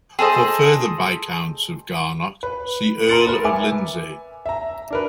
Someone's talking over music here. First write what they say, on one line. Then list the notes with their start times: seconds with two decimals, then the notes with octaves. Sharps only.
For further Viscounts of Garnock, see Earl of Lindsay.
0.19 G#4 A4 C5 D#5
2.43 B4
3.08 A#5 C6 A6 C#7
3.27 A#4 B4
3.44 B4 E5 G#5 D6
4.46 E5 A#5
4.90 D4 A#4 B4